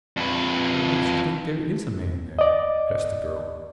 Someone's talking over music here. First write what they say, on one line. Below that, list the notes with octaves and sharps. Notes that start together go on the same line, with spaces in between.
"What makes you think there is a man there?" asked the girl.
F2 B4
D5 D#5